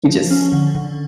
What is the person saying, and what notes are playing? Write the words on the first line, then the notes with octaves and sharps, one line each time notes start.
You just
F3
C#4
D3
D3